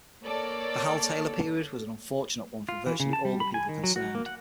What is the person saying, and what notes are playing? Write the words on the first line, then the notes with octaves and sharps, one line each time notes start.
The Hal Taylor period was an unfortunate one for virtually all the people concerned.
A#3 A4 C#5 D5
F4
E3
C#3
A5
G3
B5
G#5
D#3
F#3
F#4
A#3
F#5